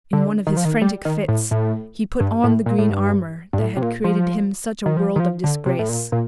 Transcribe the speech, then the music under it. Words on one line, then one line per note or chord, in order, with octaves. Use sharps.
In one of his frantick Fits, he put on the green Armour, that had created him such a World of Disgrace.
D3
D#3
F3
D#3
G3
D#3
A2
A2
G2
A2
A#2
A2
G2
G2
A2
C3
A#2
F3
D#3
F3
D#3
F3
D3
C3
A2
A#2
A#2